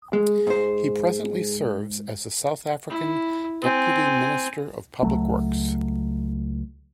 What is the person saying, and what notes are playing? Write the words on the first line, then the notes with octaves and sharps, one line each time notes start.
He presently serves as the South African Deputy Minister of Public Works.
G#3 G#4
G#2 C5
E4
C4 G#5
C#2 F#3 A3